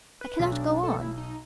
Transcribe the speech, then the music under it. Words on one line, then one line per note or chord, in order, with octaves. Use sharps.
I cannot go on.
B4
B1 B6
D4
A4
E4
D#4